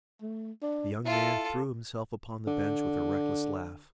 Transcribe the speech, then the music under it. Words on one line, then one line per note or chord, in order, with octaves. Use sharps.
The young man threw himself upon the bench with a reckless laugh.
A3
D4
E4 F4 A4
D3